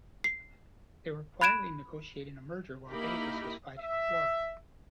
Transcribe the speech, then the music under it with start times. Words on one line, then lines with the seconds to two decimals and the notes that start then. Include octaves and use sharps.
They were quietly negotiating a merger while Davis was fighting a war.
0.24 C7
1.41 B5 F#6 G#6 D7 E7
2.90 A#3 D#4 E4 G4 A#4 B5
3.78 E5